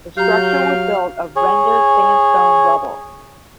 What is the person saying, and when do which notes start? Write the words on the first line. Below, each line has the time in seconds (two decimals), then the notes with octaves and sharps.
The structure was built of rendered sandstone rubble.
0.17 F#3 G4 F5 A#5 G6
1.36 G#4 C#5